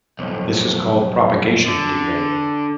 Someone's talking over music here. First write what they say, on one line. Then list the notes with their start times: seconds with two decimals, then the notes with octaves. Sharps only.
This is called "propagation delay".
0.19 B1 F2
1.67 D3